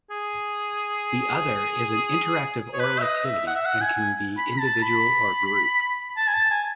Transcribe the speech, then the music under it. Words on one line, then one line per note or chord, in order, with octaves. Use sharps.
The other is an interactive oral activity and can be individual or group.
G#4
C#5
B4
E5
D#5
E5
F#5
E5
F#5
G#5
B5
A5
B5
A5
G#5
A5
G#5